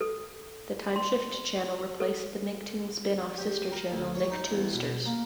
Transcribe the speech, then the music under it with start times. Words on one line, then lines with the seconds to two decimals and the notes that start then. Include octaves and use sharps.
The timeshift channel replaced the Nicktoons spin off sister channel Nicktoonsters.
0.01 A4
0.96 C6
2.00 A4
3.38 G4
3.72 A#4
3.92 D2
4.15 C#5
4.30 D#4
4.51 E2
4.73 B2
5.06 A#3